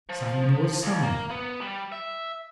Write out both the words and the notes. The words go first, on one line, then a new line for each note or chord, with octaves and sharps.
Simon was summoned.
F3
D#2
A#3
B3
G3
E5